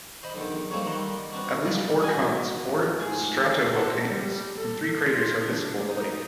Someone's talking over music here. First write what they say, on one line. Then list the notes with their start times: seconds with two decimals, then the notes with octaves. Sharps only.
At least four cones, four stratovolcanoes, and three craters are visible in the lake.
0.23 C5 D#5 B5
0.34 B1 E2 D3 D#3
0.71 F3 G3 A3 A#3 C4 C#5
0.85 D#3 G3 E5 F#5 A#5 C6
1.32 B3 C4 D4 F#4
1.65 G3 G#3 F4 A#4 D5 D#5
2.03 F#4 G#5
3.00 G#2 A3 F4 G#4
3.73 A4 F#5
4.10 G3
4.55 A4
5.05 F4
5.41 D4
5.88 D#4